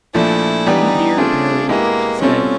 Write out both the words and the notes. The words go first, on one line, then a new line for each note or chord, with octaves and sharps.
"You dear Billy," she said.
A#2 F3 A3 D4 E4
E3 G3 B3 D4 D#4 G4
A3 C4 D4 F4 G#4
B2 G#3 A#3 B3 E4 G4
B2 G3 C4 C#4 F4 A4